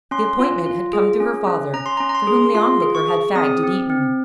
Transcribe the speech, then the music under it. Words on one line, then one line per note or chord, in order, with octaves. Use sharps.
The appointment had come through her father, for whom the Onlooker had fagged at Eton.
C#4 C6
F4
F4
G#4
C#4
C#4
C#4 A#5
C6
A#5
C#4
A#5
C6
G#4
F4 C6
G#4
C#6
G#4
C4 D#6
C4
C4